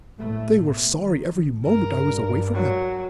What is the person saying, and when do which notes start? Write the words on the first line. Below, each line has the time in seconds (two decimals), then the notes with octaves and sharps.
They were sorry every moment I was away from them.
0.17 A#1 A2 A3
0.54 B2
0.96 D#3
1.66 G2 A#4
2.54 F#3